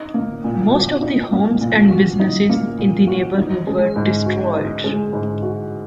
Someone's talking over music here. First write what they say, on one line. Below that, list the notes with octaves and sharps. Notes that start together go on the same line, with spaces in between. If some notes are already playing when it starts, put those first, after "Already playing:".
Most of the homes and businesses in the neighborhood were destroyed.
Already playing: D#4
A#3
A#2
F#4
D#4
A#3
A#2
F#4
D#4
A#3
A#2
F#4
D#4
G#3
G#2
F#4
D#4
G#3
G#2
F#4